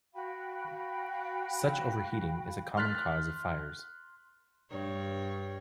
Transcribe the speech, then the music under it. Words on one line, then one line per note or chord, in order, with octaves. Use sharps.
Such overheating is a common cause of fires.
F#4 F5 G5 B5
C6 F6 F#6 A6 B6
G2 C#5